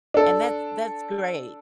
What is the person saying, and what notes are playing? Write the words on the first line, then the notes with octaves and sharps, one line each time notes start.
And that's that's great.
D4 A4